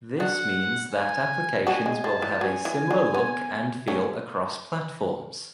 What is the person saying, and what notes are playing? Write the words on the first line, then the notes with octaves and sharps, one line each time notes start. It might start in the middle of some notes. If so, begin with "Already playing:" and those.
This means that applications will have a similar look and feel across platforms.
D4 F#4 F#5
G#5
D4 F#4 G#5
G#3
G#3 A5
E3
F#3 G#5
E3
D3
B3
A3 C#4